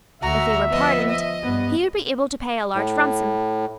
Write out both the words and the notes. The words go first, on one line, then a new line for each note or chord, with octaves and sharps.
If he were pardoned, he would be able to pay a large ransom.
D2 F#4 E5 A#5
F3 B3 D#5
D#5
G2 B3
A2